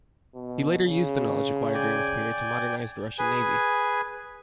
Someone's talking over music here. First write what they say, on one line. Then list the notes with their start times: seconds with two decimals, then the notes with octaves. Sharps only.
He later used the knowledge acquired during this period to modernise the Russian navy.
0.35 B2
0.85 C#3
1.75 D5 G5 G#5
3.19 G#4 B4 G#5